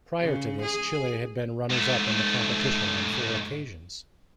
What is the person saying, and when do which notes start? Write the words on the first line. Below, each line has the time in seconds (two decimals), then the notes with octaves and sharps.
Prior to this, Chile had been runners-up in the competition on four occasions.
0.21 C#3
0.63 G#4
1.70 G#2 A3